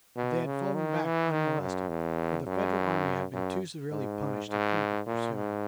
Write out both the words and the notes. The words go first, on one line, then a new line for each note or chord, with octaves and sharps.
But they had fallen back unmolested, for the Federal army had been too severely punished to think of pursuing.
B2
C#3
D#3
E3
D#3
F#2
E2
F#2
F#2
G#2
G#2
A#2
G#2